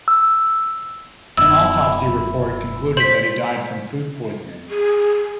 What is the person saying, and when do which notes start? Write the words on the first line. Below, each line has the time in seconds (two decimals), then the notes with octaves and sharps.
An autopsy report concluded that he died from food poisoning.
0.08 E6
1.37 D#1 F#2 B3 E4 E6
2.97 C5 B6 F#7
4.69 G#4